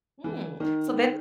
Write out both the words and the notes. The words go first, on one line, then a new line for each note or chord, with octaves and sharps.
Mm, so they th
E3
D#3